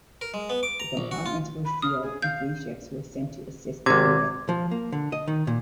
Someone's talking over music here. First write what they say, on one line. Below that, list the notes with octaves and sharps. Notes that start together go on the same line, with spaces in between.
The compartments were sealed and three ships were sent to assist the frigate.
A#4
G#3
B3
D6
A#5
A#1
F#4
F4
B5
D#6 F6
G#4
F5 G6
G#1 C3 D6 G#6
F3
A#3
D3
D#5
D#3
A#2